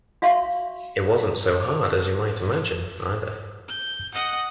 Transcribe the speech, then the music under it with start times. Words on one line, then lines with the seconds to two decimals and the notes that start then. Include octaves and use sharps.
It wasn’t so hard as you might imagine, either.
0.22 F#4 E5 F5 C6 C#6
3.68 G6
4.14 D#5 F#5